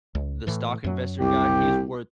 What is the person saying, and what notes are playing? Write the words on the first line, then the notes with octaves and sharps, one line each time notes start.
the stock investor guy, he is worth
C#2
A2 E3
F#2 F#3
C2 G4